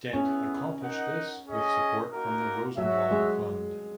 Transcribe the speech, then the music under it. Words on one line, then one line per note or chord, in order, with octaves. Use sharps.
Dent accomplished this with support from the Rosenwald Fund.
B3 C#4 E4 G#4
D#4 A#4 D#5 F#5
C#4 G#4 D#5
A#3 D#4 F#4 A#4
F#3 F#4 C#5 E5
G#3